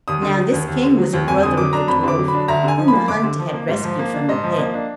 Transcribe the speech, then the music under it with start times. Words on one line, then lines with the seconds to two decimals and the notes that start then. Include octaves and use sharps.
Now this King was a brother of the dwarf whom the hunter had rescued from the pit.
0.08 D#2 D#6
0.22 D3
0.38 F#3
0.52 D#2
0.68 D#2
0.83 D3
0.98 F#3
1.13 D#2
1.27 F2 G#5
1.43 D3 D#6
1.57 F#3 D6
1.73 D4 A#5
1.87 F2 B5
2.03 D3 D6
2.18 F#3
2.28 B5
2.33 D4
2.48 D2 A#5
2.63 D3 G#5
2.78 F3
2.88 B5
2.93 A#3
3.08 D2 D6
3.23 D3
3.39 F3
3.54 A#3
3.69 G#2
3.84 F3
3.99 A#3
4.13 D4
4.28 G#2 D#5
4.44 F3
4.58 A#3
4.74 D4